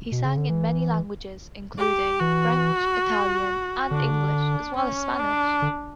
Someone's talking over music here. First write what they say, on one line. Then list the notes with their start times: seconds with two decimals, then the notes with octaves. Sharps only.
He sang in many languages, including French, Italian and English, as well as Spanish.
0.12 B2
0.25 C#3
0.37 D3
0.50 E3
1.78 G4
2.20 E3 F#4
3.91 D3 D4
4.01 C#3
4.11 D3
4.76 C#4
5.19 D4
5.62 D3